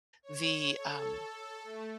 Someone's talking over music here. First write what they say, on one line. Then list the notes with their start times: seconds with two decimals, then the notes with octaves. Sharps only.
the, um,
0.23 C#5
0.78 A4
1.64 A3